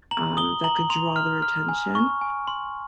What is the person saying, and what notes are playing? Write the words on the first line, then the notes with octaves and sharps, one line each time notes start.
um, that could draw their attention.
A#5 F#7
D#6 G7
A#5 F#7
C6 F7
F6
F6
G#5
C#6
G#5
C6